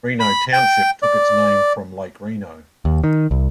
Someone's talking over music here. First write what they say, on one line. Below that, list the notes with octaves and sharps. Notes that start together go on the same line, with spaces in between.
Reno Township took its name from Lake Reno.
B5
G5
D5
D#2
D#3
C2